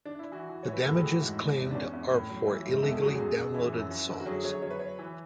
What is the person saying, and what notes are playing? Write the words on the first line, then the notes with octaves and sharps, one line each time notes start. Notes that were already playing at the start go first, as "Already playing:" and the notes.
The damages claimed are for illegally downloaded songs.
D4
E4
E3 F#4
E3
E3 C#5
B4
A2 A4
G#4
E3 F#4
G#2
E2
E2
D4
E2 C#4
E2
A2
F#3
E3 E4
G#2
E2 A4
G#4
F#3 F#4
F#2 G#4
F#2
E3 E4
F#2
F#2
D3
F#4
F#3 G#4
F#3 C#5
F#3 C#5
B4
F#3 C#5
E3